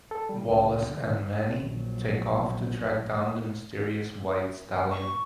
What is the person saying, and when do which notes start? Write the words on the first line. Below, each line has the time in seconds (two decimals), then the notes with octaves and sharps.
Wallace and Manny take off to track down the mysterious white stallion.
0.11 A4
0.29 G3
0.48 C#2
0.91 D3
1.53 A#1 F#3
4.91 C#6